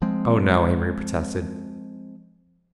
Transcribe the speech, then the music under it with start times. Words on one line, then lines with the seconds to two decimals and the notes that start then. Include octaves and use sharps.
"Oh, no," Amory protested.
0.02 F3 G#3 C4